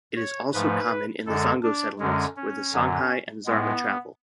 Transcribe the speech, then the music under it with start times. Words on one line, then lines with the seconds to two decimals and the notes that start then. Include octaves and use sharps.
It is also common in the Zongo Settlements where the Songhai and Zarma travel.
0.16 C#5
0.53 G#2 F3 A3 B4
1.26 F#2 D3 G#3 A4
1.63 D4
1.99 F#2 D3 G#3 C#4
2.36 C#4
2.73 F#2 D3 F#3
3.46 A2 G#3 B3